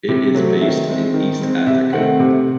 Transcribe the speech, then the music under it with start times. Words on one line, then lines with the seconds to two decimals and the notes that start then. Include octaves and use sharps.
It is based in East Africa.
0.09 C3
0.35 F#3 A3 C4
0.61 D#3 E5
0.87 G#3 C4
1.14 D#3
1.41 G#3 C4
1.67 C3 E5
1.93 D#3 A3 C4 F#5
2.20 C3